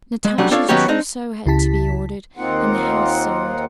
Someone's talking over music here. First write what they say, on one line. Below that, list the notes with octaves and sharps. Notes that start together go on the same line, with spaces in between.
Natasha's trousseau had to be ordered and the house sold.
G#3
F#3 G3 A3 D4
C4 D4 F4 A4 C#5
D#3 F#3 B3 C#4 G4 C#5
C4 D4 D#4
C#2 C#3 E4 G4 A5 B6
D#2 A#3 C4 D#4 F4 F#5